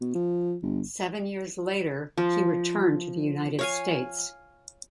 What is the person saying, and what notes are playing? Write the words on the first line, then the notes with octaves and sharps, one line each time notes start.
Seven years later he returned to the United States.
B2
F3
G1
F3
C#5 F5 G#5